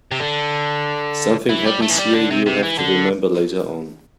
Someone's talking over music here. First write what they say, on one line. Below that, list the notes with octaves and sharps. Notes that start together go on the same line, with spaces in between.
Something happens here you'll have to remember later on.
C3
D3
E3
G3
A3
E3
G3
D3
C3
C3
E3
D3